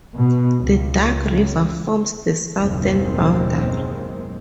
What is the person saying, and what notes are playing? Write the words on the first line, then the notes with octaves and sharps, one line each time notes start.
The Duck River forms the southern boundary.
B2
C#2
F#1 D#2 B2 D#3 G#3 C4